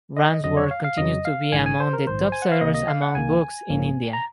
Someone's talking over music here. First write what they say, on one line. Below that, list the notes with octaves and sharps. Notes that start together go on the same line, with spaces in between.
Rand's work continues to be among the top sellers among books in India.
D#5
F2 C#3 F#3 D#5
C#5
F5
F5
F2 C#3 F#3 D#5
F5
A#1 G#2 D#3 G#5
G#5
C5
A#4
A#1 G#2 D#3 C5
G#5
F#5
F5
C#2 C3 D#3 A#3 D#5
D#5
F5
F#5
C#2 C3 D#3 A#3 G#5
A#1 G#2 F3 A#3 C#4
A#5